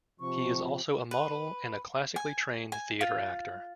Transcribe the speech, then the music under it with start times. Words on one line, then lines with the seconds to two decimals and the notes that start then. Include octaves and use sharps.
He is also a model and a classically trained theater actor.
0.20 C3 F3 C#6
1.11 B4
2.16 G#5
2.72 G#5
3.01 F4